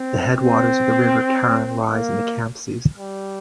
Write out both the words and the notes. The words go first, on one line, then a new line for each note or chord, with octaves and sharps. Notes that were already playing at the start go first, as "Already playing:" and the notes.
The headwaters of the River Carron rise in the Campsies.
Already playing: C4
C4
A#3
G3